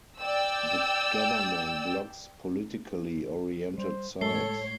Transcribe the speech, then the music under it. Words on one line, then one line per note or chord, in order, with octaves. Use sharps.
The government blocks politically oriented sites.
D5 G5 E6
G3 C5
A2 G#3 A4 C#5 C7 G7